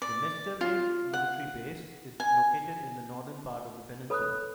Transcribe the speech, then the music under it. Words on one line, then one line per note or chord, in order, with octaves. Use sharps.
The Mestersvig military base is located in the northern part of the peninsula.
D5
F4
F#5
G#5
A4 B4 C#5 B5 D#6 F#6